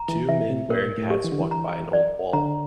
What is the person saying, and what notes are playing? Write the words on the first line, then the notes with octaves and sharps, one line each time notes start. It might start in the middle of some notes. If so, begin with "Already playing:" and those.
Two men wearing hats walk by an old wall.
Already playing: A#5
E3
E3 E5
C3
A#2 A#4
A2
G4
E3
D3
E3
A#5
D5
D3 A#5